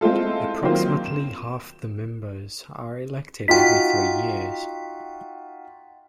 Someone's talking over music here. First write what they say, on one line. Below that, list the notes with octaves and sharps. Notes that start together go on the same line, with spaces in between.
Approximately half the members are elected every three years.
G#3 C4 E4 F4 A4
D#3 F#3 A#3 C4 F4
E7
D#4 F4 F#4 G5 B6